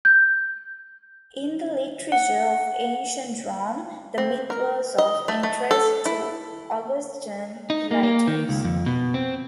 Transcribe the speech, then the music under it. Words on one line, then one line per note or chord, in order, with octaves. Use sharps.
In the literature of ancient Rome, the myth was of interest to Augustan writers.
G6
F#5
C4
A#4
D#5
A3
A3
A4
E4
D#4
A#3
A#3
D#3
C#2
F2
B2
C4